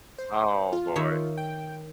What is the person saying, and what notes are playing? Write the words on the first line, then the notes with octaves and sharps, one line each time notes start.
Oh, boy.
C5
F4
D#3 C#5 E5
G5